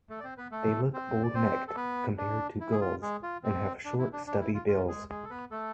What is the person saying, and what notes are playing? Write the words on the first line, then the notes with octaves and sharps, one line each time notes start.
They look bull-necked compared to gulls, and have short stubby bills.
A3 A4
D5
C4 C5
B3 B4
A3 A4
C4 C5
D5
C4 C5
A4
B3 B4
D4
E4
G#4
F4
G#3 G#4
F4
C4
D4
E4
D4
D4
E4
F4
F4
G#3 G#4
G#3 G#4
A4
B3 B4
A3 A4